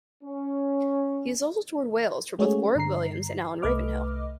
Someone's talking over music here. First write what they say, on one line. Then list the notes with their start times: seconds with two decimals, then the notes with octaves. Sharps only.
He has also toured Wales for both Orig Williams and Alan Ravenhill.
0.24 C#4
2.39 G#3 A3 C#4 F#4 G#4 C#5
2.75 G2 D3 A#5 C7
3.62 C2 A3 B4 D#5 D6 F6